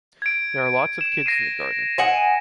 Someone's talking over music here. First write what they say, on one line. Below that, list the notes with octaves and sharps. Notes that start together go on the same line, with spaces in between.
There are lots of kids in the garden.
G#6 D7
E7
A#6 C7 D#7
D#5 F#5 G#5